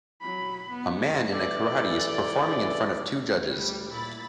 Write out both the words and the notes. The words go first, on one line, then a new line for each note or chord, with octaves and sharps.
A man in a karate is performing in front of two judges.
F#3 B5
B3
E3 A4 D5
D2 G3
A#2 E4 B5 A6